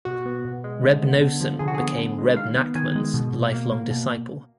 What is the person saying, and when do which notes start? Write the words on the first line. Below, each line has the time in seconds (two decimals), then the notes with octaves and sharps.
Reb Noson became Rebbe Nachman's lifelong disciple.
0.05 B2 F#4
0.26 B3
0.45 B2
0.64 G#3
0.83 D3
1.02 B3
1.21 D3
1.41 F3
1.59 D3 G#4
1.68 F#4
1.74 G#4
1.79 B3
1.98 D3
2.18 G#3
2.36 D#3 F5
2.56 B3
2.75 D#3 G#5
2.95 G#3
3.14 B2
3.33 B2
3.53 A#3
3.72 A#3
3.91 B2